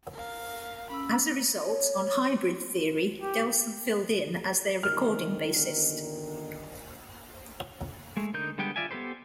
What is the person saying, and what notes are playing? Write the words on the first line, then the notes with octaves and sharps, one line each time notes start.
As a result, on "Hybrid Theory", Delson filled in as their recording bassist.
A#4 F5
C#4 B5 E6
C#5
G4
G1 A#2 D#3 F6
G#3 A3
D3 D#4 A#4 G6
D3 G3 G#3 B3 G5
F4 D5 E5 G#5
B3 G4 A4 B4 C5